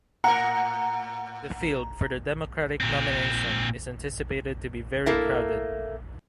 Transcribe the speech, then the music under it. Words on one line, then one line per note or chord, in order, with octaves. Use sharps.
The field for the Democratic nomination is anticipated to be very crowded.
A2 A#4 F#5 A#5
A#2 C4
A3 A#3 E4